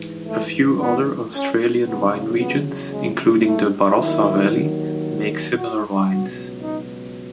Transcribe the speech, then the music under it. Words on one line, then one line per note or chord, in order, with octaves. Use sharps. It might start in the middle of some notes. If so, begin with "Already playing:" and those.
A few other Australian wine regions, including the Barossa Valley, make similar wines.
Already playing: G#2 E3
A3
B3
C#4
E2 C#3 F#3 B3
B3
G#3
A3
D#2 D#3 F#3 E4
F#4
C#2 B2 F#3 F#4
D#4